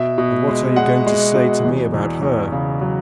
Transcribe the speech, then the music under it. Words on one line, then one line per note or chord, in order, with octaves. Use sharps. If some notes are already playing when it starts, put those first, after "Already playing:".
"And what are you going to say to me about her?"
Already playing: B2 E5
B2
G#3
G#3 F#5
G#3
B2
E2
E2
E2
C#3
F#3